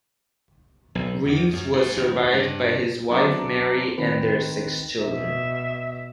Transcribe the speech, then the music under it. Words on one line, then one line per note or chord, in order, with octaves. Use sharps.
Reeves was survived by his wife Mary and their six children.
B1
E2
F#2
G#2
D#2
G2
F#3 B3 C4 D4 E5 A#5
D#3 C4 B4
B2 E5